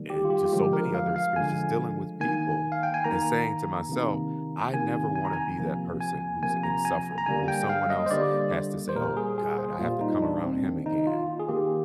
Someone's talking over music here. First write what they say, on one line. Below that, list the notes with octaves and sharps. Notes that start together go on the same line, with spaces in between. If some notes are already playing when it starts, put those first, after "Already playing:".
and just so many other experiences, just dealing with people, and saying to myself, "I never wanna be that person who's insufferable, who someone else has to say, "Oh god, I have to come around him again."
Already playing: D#3 G3 A#3
G4
F4
G4
F4
D3 F3 G#3 G4
A#4
F5
F5
D3 F3 G#3 G#5
D#3 A#3 G#5
F5
G5
G#5
D#3 A#3 A#5
C3 D#3 A#3
C3 D#3 A#3 G#5
G#5
A#5
G#5
C3 F3 A#3
G#5
C3 F3 A#3 G#5
A#5
G#5
A#5
D3 G3 A#3 G#5
G5
F5
D#5
C5
D3 G3 A#3 D5
C5
A#2 G3 A#3 A#4
G#4
G#4
C5
A#2 G3 A#3 F4
D#4
D4
C4
D#3 A#3
D#4
F4
G#4
D#3 A#3 G4